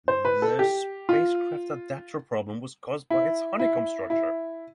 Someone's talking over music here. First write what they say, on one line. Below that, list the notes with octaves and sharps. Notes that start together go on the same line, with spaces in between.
The spacecraft adapter problem was caused by its honeycomb structure.
C5
B4
A4
G4
F4
E4
E4
E4